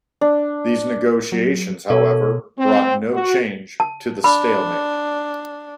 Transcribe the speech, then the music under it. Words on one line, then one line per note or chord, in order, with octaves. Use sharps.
These negotiations, however, brought no change to the stalemate.
D4
F#3
B2 B3 A4 C#5
C4
F#4
A5
D4 B5